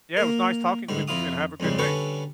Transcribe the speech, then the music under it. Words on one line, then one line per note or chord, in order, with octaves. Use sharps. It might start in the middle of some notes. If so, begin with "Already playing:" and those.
Yeah, it was nice talking with you, and have a good day.
A#3 A#4
G#2 D3 G3
F2 E4 F4 D#6
F2 G#2 C#3 G3
D3 G3 C#4 A4 B4 C#6